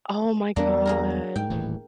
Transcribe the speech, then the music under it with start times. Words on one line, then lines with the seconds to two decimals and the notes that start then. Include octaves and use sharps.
Oh my god.
0.56 E2 G3 A#3 B3 D4
0.86 A#3 G#4 A#4
1.36 G#2 G5
1.50 D#1 A2 E3